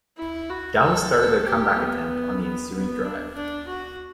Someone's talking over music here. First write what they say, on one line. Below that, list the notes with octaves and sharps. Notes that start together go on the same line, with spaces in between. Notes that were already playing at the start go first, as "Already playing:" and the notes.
Dallas started their comeback attempt on the ensuing drive.
E4
F#4
A4
A4
G4
B3
B3
B3
D4
D4
F#4